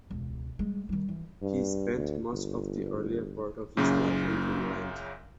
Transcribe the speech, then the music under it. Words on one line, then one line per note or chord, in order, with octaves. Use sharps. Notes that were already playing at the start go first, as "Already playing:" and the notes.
He spent much of the earlier part of his life in England.
E1 C#2
G3 G#3
D#3 G3
E3
G2
D2
G1
F#1 F#2 A#2 C#3